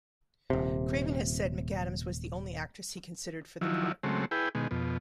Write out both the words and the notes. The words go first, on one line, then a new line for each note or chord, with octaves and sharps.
Craven has said McAdams was the only actress he considered for the part.
D#1 C3
D#3 F3 F#3 E4
C#3 F#3 G#3 A3 C4
E4 G#4 B4 G5
B2 D#3 G#3
F2 B2